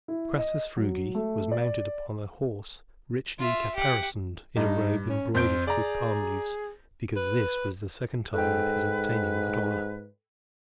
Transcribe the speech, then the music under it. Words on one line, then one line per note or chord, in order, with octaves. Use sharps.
Crassus Frugi was mounted upon a horse richly caparisoned, in a robe embroidered with palm leaves, because this was the second time of his obtaining that honour.
E4
D#5
F#3
A3
D5
F4 E5
G4 F#5
G2 D#4
C#4
F2 C5 G6 D7
G#4 D5 A#5
B4
G#2 A4 B4 G5